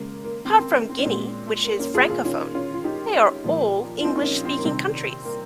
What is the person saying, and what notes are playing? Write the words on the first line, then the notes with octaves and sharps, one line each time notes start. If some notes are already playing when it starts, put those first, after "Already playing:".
Apart from Guinea, which is Francophone, they are all English speaking countries.
Already playing: C#3 G#3 A#3
A#3
C4
C4
A#3
C4
C#4
A#2 G#3 C4
A#3
A#3 C#4
F4 G#4
F4 G#4
D#3 A#3 C#4 F4
C#4 F4
F4
D#4 G4
A#2 F3 A#3
F4
C4 D#4
D#4
A#3 C#4
C4
A#3
C3 D#3 G3 C4
A#3